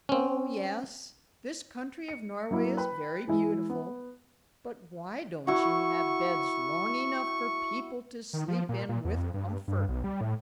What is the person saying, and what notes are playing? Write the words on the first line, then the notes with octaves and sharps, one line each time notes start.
"O yes, this country of Norway is very beautiful, but why don't you have beds long enough for people to sleep in with comfort."
C4 C#4
C#7
F#3 A#3 E4
B4 G5 B5
E3 G#3 E4
B3
E4 F#4 C#6
D#3
F3
A#2
A#2
E2
F2
G2
G2
B1
G3
A2